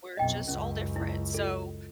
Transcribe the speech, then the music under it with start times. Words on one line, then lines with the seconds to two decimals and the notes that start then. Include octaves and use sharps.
we're just all different, so
0.17 B1 F2 D#5 G5
0.48 C#2 F#2 C#4
0.96 E4
1.34 F4 A4